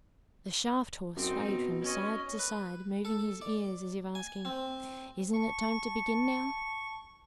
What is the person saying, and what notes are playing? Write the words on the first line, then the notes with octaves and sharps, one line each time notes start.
The shaft horse swayed from side to side, moving his ears as if asking: "Isn't it time to begin now?"
F#2 C4 D#4
B2
C#4 D#5
B4
A4
D5
G#5
C4
A5 C#6